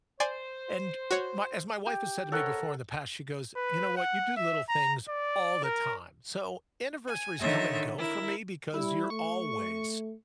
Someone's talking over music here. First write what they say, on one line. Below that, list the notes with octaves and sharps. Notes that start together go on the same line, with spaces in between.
and my as my wife has said to me before in the past, she goes, you know what, you do little things all the time. So, anniversaries come and go for me because you're always
C5 D5 G#5 C6
F#4 C#5
G4
C3 A4 A#4 C#5 F#5
B4
F#5
E5
A#5
D5
A#4
G#5
D3 D#3 D#4 C#5 E5
E4 A#4 E5
G3 E4
A3 C#6